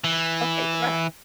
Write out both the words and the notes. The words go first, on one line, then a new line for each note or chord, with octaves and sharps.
"Okay, the rat,
E3